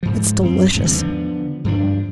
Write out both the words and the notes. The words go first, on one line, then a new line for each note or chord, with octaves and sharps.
It's delicious.
G#2 F3
F#2 C4
E2 G#2 C#3 B3
D3 F3 A3 B3
G2 F3 D4